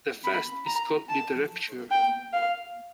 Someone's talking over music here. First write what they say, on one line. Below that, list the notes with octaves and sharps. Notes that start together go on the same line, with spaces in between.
The fest is called Literapture.
B5
A#5
A5
G5
F5